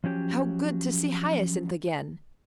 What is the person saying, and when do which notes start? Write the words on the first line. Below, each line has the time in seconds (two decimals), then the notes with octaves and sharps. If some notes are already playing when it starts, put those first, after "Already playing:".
How good to see Hyacinth again!
0.04 F3 F#3 C#4 G4